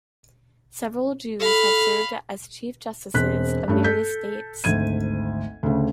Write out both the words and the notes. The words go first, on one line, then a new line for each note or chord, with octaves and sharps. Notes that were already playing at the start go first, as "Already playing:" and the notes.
Several Jews have served as Chief Justices of various states.
A4 F5 B5
E1 C4 C5 F#6 B6
G2 A3 C#4
A4 G6 B6
G#1 D2 G#6 D#7
D2 C#3